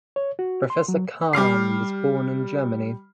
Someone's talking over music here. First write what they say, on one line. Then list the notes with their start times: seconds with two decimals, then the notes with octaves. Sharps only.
Professor Khan was born in Germany.
0.16 C#5
0.39 F#4
0.70 C6
0.88 F#3
1.33 G3 D6 F6 C7